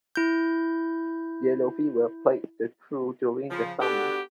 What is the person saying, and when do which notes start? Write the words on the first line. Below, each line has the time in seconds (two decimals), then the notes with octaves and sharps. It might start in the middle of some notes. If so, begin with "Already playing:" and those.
Yellow fever plagued the crew during the summer.
0.16 E4 G6
3.50 C#3 F3
3.80 B3 D4 F#4 G4 A4